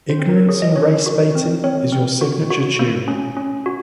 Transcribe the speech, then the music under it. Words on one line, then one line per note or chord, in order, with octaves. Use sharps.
Ignorance and race baiting is your signature tune.
C5
C4
A#4
G#4 C#5
D#5
C#4 C#5
F#4
C4
C4 C#5
C4
F#4
F#4
A#3
C#4
C#4
F#4